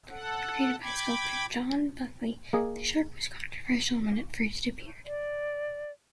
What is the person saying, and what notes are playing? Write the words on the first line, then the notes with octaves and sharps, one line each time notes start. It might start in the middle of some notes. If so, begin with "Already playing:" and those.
Created by sculptor John Buckley, the shark was controversial when it first appeared.
A4 F#5
G5 B5 D6 G#6
A#3 G#4 D#5
D5